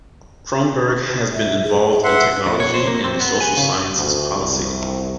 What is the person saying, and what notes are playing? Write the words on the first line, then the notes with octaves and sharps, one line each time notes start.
Cronberg has been involved in technology and the social sciences policy.
E5
G#4
B4 E5 F#5 C6
F2
C#5
C5
A#3
C4
B3
G#5
C#3
D2
C2